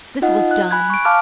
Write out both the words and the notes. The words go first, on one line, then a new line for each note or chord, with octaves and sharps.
This was done.
D#4 F4 D#5 F#5
F#6
G#5 B5 F#6 G#6
C#6 D7
F5 A5 D6 F6